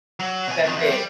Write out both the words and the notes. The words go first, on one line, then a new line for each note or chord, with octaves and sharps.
that's it."
F#3
B2 G#5
F2 D#3
E2
G3